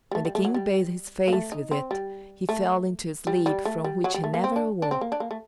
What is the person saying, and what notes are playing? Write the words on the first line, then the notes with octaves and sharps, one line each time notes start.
When the King bathed his face with it, he fell into a sleep from which he never awoke.
G3
A3
G3
A3
F#3
G3
A#3
A3
D#4
C4
G3
A3
G3
G3
A3
G3
F#3
G3
A3
A#3
C4
D4
D4
C4
A#3
D4
A#3
A3